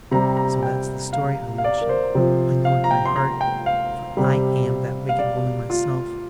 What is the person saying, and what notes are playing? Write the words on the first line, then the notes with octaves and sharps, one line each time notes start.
So that's the story, Alyosha; I know it by heart, for I am that wicked woman myself.
C3 G3 A#5
A#5
G5
F5
F5
D5
A#4
C5
C3 F3
F5
A#5
G5
C6
A#5
G5
F5
C3 G3
F5
D5
F4